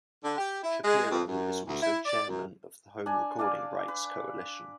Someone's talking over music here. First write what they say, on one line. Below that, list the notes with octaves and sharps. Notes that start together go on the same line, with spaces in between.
Shapiro is also chairman of the Home Recording Rights Coalition.
D3
G4
E4
G#3
F2
F#2
D2
E4
D5
F#2
D4 G#5
D4 D5 F5 G#5
B4